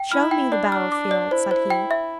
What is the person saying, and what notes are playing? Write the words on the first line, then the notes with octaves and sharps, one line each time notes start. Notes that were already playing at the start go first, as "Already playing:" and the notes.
'Show me the battle-field,' said he.
Already playing: G5
E4 F6
G5
D4 D5
F6
D6
D5
E4 C5
C5
G5
E5